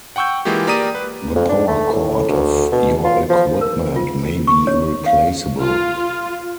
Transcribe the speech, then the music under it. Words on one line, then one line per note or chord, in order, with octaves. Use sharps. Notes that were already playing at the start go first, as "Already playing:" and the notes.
The power cord of your equipment may be replaceable.
F#5 G5 C#6 E6 G6
E3 G#3 A#3 F4 G4
A#3 G4 D5 A#5 D#6 D#7
B4
F2
D4
A3
A2
D2
B2
F4
F3
A#4
F4
C#6
C#5
F5
F4